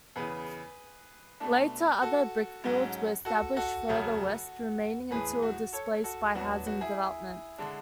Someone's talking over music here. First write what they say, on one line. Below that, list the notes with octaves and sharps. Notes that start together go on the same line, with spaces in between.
Later, other brickfields were established further west, remaining until displaced by housing development.
E2 C#3 E3 G#4 B4
B2 A3 D4
F#4 A4
G#2 F#3 C#4
F#4 A4
F#4 A4
F#2 C#3 F#3 A3
A2 E3 G#3 G#4 B4
F#4
A4 C#5
F#4 A4
A2 F#3 B3 D4 F#4
F#4
F#4
E4 G#4
D3 G#3 D4